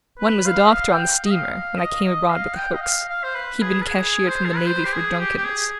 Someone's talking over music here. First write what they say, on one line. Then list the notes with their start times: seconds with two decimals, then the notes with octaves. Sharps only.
One was the doctor on the steamer, when I came abroad with the Hokes: he'd been cashiered from the navy for drunkenness.
0.19 B4
0.46 F5
0.67 D#5
0.72 F5
0.91 G5
1.26 D#5
1.32 F5
1.52 F5
1.78 D#5
2.04 D#5
2.30 F5
2.56 G5
2.74 D#5
2.82 F5
3.09 F5
3.24 C5
3.35 B4
3.62 G#4
3.82 B4
3.87 G#4
4.27 C5
4.45 G#4
4.56 B4
4.66 C5
4.85 G4
4.93 G#4
5.19 G4
5.37 G4
5.45 G#4